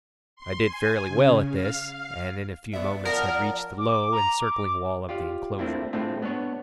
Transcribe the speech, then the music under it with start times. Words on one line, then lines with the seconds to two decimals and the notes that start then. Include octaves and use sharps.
I did fairly well at this and in a few moments had reached the low, encircling wall of the enclosure.
0.36 C6
0.65 G#5
1.07 C#3
1.48 F5
1.88 F5
2.73 B3 D5 E5
3.05 F3 A#4 F#5 A#5
3.79 D6
3.92 D6
4.12 A#5
4.40 D6
4.53 D6
5.09 F4 G4 D5 F5
5.58 A3 A#3 C4 D4 E4 F4
5.93 A2 G#3 A3 C4 D4 F4
6.22 B3 D4 C#5